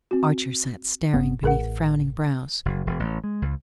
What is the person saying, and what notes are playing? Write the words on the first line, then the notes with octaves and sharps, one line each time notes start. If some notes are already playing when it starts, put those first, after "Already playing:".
Archer sat staring beneath frowning brows.
C4 F#4
G1 B3
A1 G#4 A#4 F#5
F#1
E1
A1
G#3
C#2